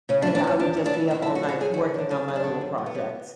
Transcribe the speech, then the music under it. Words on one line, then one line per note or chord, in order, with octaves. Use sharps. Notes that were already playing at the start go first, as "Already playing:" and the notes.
And I would just be up all night working on my little projects.
C#3 C#4
D4
E3
D4
E2 C#4
E2 D4
C#3
D4
E3
D3 E4
E4
F#2
F#4
D3
F#4
F#2 G#4
F#4
D3
F#2 D4
D3 C#4
F#2
D4
D3
F#2
D3
B3
F#2